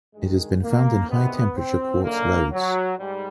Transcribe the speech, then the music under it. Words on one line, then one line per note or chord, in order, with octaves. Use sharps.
It has been found in high-temperature quartz lodes.
G2 D#3 G#3
A#3
E2 C3 D#3 B3
C4
F#2 D3 A#3
F#3
G#2 G3